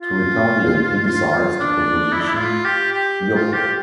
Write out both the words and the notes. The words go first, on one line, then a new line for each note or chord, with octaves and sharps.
To retaliate, he decides to proposition Yoko.
F4
F4
F4
D4
E4
D4
E4
F4
G4
G4
F4
G4